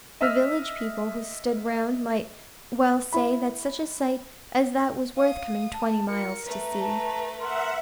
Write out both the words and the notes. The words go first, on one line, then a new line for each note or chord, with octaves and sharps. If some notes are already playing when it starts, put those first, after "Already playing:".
The village people who stood round might well say that such a sight as that was worth coming twenty miles to see.
D#5 E5 E6 F6
E4 B5
F5 D#6
A5
F4 A#4 C#7
A3 B4 A#5
A5
A#4 E5 F#5 C6